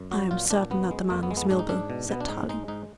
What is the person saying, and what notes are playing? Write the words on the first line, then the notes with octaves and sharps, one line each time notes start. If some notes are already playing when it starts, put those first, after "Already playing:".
"I am certain that the man was Milburgh," said Tarling.
Already playing: F#2
F#3 F#4
A#2 F4
A#2 D4
F#2 B3
G#3
F2 A#3
B3
G#3
B3
G#2 D4
D#4
G#2 D4
B2
B2 B3
D4
G#2 D#4
G#3 D#4
G#2 D#4